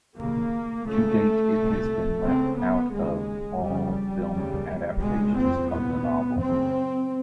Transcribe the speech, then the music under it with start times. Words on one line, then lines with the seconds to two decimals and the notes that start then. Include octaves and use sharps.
To date, it has been left out of all film adaptations of the novel.
0.17 D#2 C#3 A#3
0.85 C#2 C#3 A3
1.56 C2 A#2
2.24 C#2 C#3 C4
2.59 B3
2.94 D#2 C#3 G#3
3.63 F2 C#3 G3
4.33 D#2 C#3
5.02 C#2 B2 G#3
5.37 C4
5.71 C2 A#2 B3
6.41 F#2 C#3 C4